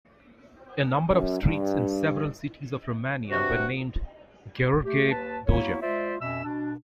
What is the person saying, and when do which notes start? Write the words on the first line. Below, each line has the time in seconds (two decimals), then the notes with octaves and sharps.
A number of streets in several cities of Romania were named "Gheorghe Doja".
1.10 F#2
1.40 G2
3.30 G2 C3 F#4
4.84 A3 G4
5.10 D#2 B4 A5
5.46 A#3 B3 E4 F#4 C#5
5.82 G#3 F4 C5 D5 E5
6.21 F2 B2 C4 C#4 E5 E6
6.44 B2 D4